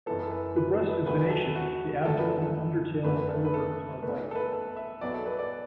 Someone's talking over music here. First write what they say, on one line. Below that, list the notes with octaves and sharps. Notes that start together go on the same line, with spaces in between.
The breast is vinaceous, the abdomen and under tail coverts are white.
F#1 F#2 E3 B3 A4
A4
B4
B4
A4
B4
E1 D2 D3 A3 B4
B4
A4
F#4
F#2 D3 A3 A4
B4
A4
A4
F#1 E2 D3 A3 B4
B4
A4
B4
A4
B1 B2 A3 B4
A4
B4
A4
E5
B1 B2 F#3 B3 D5
A4
B4
D5